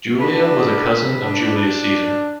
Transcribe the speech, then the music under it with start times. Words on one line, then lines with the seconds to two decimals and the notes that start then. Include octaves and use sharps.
Julia was a cousin of Julius Caesar.
0.19 B2 D4 B4
1.23 D4